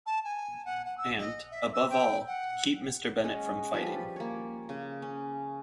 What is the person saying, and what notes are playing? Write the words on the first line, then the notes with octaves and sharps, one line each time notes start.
And, above all, keep Mr. Bennet from fighting.
A5
G#5
F#5
F#5
E6
D#5
E5
E6
G5
F#5
G#3 C#4 D#5 F#5
F3 G3 C#4 B4
A#3 C#5
C#3 C#4
C#4